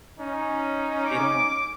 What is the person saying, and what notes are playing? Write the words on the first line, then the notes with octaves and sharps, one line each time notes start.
they don't,
C#4 D#4
D6